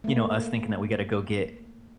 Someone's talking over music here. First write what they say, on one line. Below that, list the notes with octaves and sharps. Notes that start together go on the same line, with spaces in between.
you know, us thinking that we gotta go get,
A3 A#3